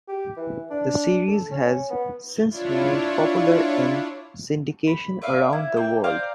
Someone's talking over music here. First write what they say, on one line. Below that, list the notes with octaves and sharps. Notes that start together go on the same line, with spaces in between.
The series has since remained popular in syndication around the world.
G4
E3
D4
A4
C#4
B3
D4 E4 F4 C#5
B5
B4 D5 E5 F5
E4
A#3 G5
C5 D5 F5 A#5